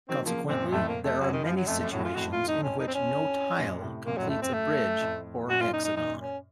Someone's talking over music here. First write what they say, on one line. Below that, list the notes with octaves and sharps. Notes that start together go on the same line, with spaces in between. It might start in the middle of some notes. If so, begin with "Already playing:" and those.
Consequently, there are many situations in which no tile completes a bridge or hexagon.
D#3 F#3 C4
C#3 F3 A#3
F#2 A#2 C4
F2 A2 A3
A#3
F2 A3
F#2 F#3
D#3
F#2 F3
F#3
F2 A3
A3
F#2
A2 F#3
F#2 F4
F2 A2 F#4
F4
D#4
C#4
D#4
C4
C#4
F#2 A#2
A2 C3
F#2 A#2 A#3
F#3
F2 A2
A3
F#2 C4
A3
F2 A2
A2
F#2 A#2 F#4
F4
D#4
D#4
F#2 A#2 D#4
C#4